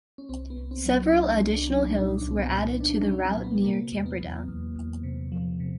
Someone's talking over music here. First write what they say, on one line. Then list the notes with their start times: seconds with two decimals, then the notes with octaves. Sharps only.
Several additional hills were added to the route near Camperdown.
0.18 C#4
0.29 C2 C4
0.50 B3
0.57 C2
0.71 C4
0.85 F#3
0.93 C#4
1.07 D#4
1.13 C2 D4
1.34 C#4
1.41 C2
1.55 D4
1.69 F#3
1.76 D4
1.97 A#2 D#4
2.18 D4
2.25 C2
2.31 C4
2.39 B3
2.53 A#2
2.80 A#2 D4
3.01 C#4
3.09 F#3
3.23 C4
3.36 A#2
3.44 B3
3.64 C3 A#3
3.92 E2
4.06 B3
4.21 E2
4.48 E2
4.76 E2
5.03 C3
5.32 F3
5.60 C3